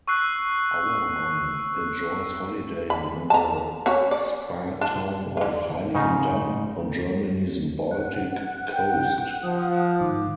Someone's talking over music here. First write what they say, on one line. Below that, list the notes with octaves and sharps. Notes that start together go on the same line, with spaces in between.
Auermann enjoys holidaying in the spa town of Heiligendamm, on Germany's Baltic coast.
C#6 E6 F#6 C7
B5
A5 A#5
C#4 F#4 C#5
D5
D4 F4
D3 F4
G#2 C#3 D#4
F#5
G5
F3 D#6
G#2 D#3 D6